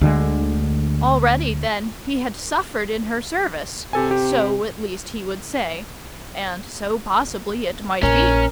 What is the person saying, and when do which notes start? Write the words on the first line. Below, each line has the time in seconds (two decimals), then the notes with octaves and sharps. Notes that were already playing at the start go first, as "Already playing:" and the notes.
Already, then, he had suffered in her service--so at least he would say, and so possibly it might be.
0.01 D2 D3 G#3
3.93 C3 G4 A4 G#5
4.11 G4
8.03 A#1 C#4 A#4